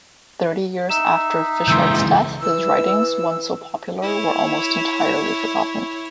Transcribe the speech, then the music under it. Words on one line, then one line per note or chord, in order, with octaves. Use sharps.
Thirty years after Fischart's death, his writings, once so popular, were almost entirely forgotten.
D#4 E5 E7
C#2 E3 C6 E6 G6
E3 E6
E4 C#5